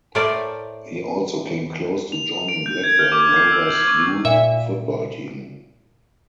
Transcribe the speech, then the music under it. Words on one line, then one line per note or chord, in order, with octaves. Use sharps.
He also came close to joining Blackburn Rovers' youth football team.
A2 A3 A#4 C5 D5
F7
F7
D7
G6
G#6
F6
D6
C7
E6
F#7
C#6
A#2 E5